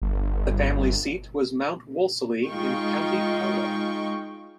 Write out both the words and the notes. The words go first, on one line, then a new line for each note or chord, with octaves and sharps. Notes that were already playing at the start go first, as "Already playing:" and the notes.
The family seat was Mount Wolseley in County Carlow.
G1
G#3 D#4 F4 G5 C#6